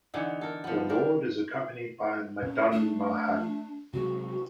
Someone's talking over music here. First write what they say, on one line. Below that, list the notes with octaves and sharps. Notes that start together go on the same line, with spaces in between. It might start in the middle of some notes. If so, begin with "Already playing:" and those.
The Lord is accompanied by Madanmohan.
D3 E3 B3 D#4
A4 A#4
F3 B3
G3 D4 A#4
A#2 C#4
A3 D4
C3 F#3 G#3 F#4